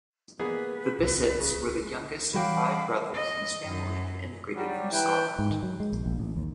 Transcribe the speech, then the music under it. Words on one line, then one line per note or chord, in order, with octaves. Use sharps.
The Bisset's were the youngest of five brothers whose family had emigrated from Scotland.
A#3 B3 G#4 B4
D1 C2 C3
C#3
E3 G3 C#4 F#4 F5 G5 B5 D6
D#5
F#2
F#3 G3
E3 B4 G5
G#2
D#3
F#3
G#3
A#1
A#1
A1
D#2